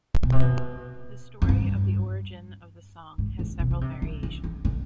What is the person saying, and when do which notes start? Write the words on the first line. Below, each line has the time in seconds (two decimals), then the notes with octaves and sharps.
The story of the origin of the song has several variations.
0.23 B2
0.32 C3
0.41 B2
1.42 F2
1.49 G2
3.18 G#2
3.39 G#2
3.59 B2
3.71 D3
3.81 C3
4.02 D3
4.23 D3
4.44 D#3
4.65 D3